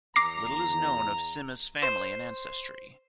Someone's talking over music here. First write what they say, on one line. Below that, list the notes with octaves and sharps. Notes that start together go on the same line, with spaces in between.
Little is known of Sima's family and ancestry.
E2 A#5 D6 A#6 C7
C5